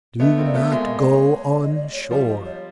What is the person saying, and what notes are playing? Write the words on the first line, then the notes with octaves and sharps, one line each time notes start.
Do not go on shore.
A3 B3 D#5
A#3 C4
D5
A3 B3
G#3 A#3 E5
D#5
D5
C#5
C#5
C#5
D5
D#5
D5
C#5
F3 G3 D5
D#5
C#5